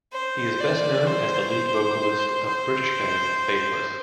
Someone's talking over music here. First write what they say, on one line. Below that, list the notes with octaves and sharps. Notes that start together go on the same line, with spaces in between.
He is best known as the lead vocalist of British band Faithless.
C5
D5
C5
C5